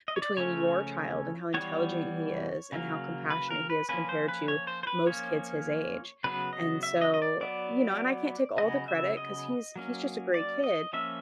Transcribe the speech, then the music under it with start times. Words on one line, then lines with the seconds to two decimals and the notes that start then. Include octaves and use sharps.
between your child and how intelligent he is and how compassionate he is compared to most kids his age." And so you know, and I can't take all the credit ‘cause he's he's just a great kid.
0.08 D#5
0.16 C#5
0.22 D5
0.37 C#3 F3 A3 C#4 C#5
1.54 E3 G3 B3 C#5
2.72 C#3 F#3 A#3
3.30 B4
3.51 A#4
3.70 B4
3.89 F3 A#3 C#4 B4
4.09 C5
4.28 B4
4.48 C#5
4.67 C5
4.83 C5
4.87 B4
5.06 F3 A#3 C#4 C#5
6.24 C#3 F#3 B3 B4
6.53 D#5
6.83 E5
7.01 D#5
7.14 D#5
7.22 D5
7.41 F#3 B3 D5
8.58 C#3 F#3 B3 D#5
8.88 E5
9.17 D#5
9.76 F#3 A#3 C#4
10.34 D5
10.64 D#5
10.93 F3 A#3 C#4 E5